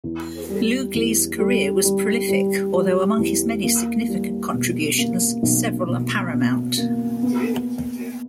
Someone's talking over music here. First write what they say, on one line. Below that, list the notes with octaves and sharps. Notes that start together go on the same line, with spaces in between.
Lugli's career was prolific, although among his many significant contributions, several are paramount.
E2
G3
E2
G3
G3
G3
G3
E2
A#3
G3
B2
A#3
B1
B2
B2
A#3
B3